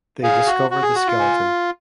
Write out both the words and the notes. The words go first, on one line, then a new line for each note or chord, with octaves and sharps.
They discover the skeleton.
G#4 F5
F#4
F#4
G#4
F#4
F4
G#5